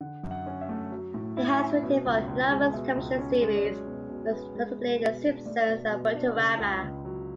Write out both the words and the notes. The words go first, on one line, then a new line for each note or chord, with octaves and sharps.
He has written for numerous television series, most notably "The Simpsons" and "Futurama".
D3 F#5
F#2
F#5
C#4
E5
A3
F#3
A2
E4
C#4
B2
C#2
C#2
G#3
B2 E5
C#2
C#4
G#3
D5
F#3 C#5
B2
B2
B3
G#3
B2
B2
D4
A3 D5
B2
B2
D4
C#3
C#2
C#2
F#3